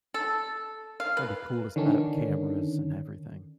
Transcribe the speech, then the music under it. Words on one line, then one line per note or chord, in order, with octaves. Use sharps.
That'd be cool to set up cameras and everything.
A4
F5
B4
D3 D#3 C#4 D4